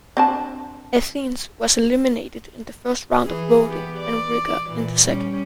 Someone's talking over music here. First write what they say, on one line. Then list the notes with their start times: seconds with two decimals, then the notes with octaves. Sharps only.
Athens was eliminated in the first round of voting and Riga in the second.
0.17 C4 D4 A5
3.26 E3 G#4
3.65 B3 G4
4.00 D5
4.69 A#2 E3
5.04 G3 C#4